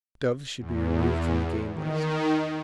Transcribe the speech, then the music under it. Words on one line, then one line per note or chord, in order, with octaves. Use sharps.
Doves should be removed from the game list.
E2
D#3